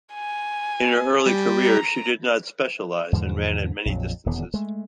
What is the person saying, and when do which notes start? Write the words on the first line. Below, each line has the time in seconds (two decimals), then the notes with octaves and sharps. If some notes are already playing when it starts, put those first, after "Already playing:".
In her early career, she did not specialise, and ran at many distances.
0.13 G#5
1.26 G3
1.64 A#5
3.12 E2 G#2 D3 F3
3.85 A#1 F2 F#3
4.26 D#1 E2 D3 B3
4.54 G#3 A3